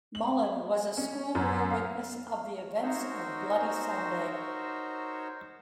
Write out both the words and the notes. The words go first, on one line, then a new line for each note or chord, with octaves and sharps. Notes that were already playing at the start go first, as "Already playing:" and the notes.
Mullan was a schoolboy witness of the events of Bloody Sunday.
F#7
C#4
F#2
F5
D#4 F#4 A#4 C5 C#5 E6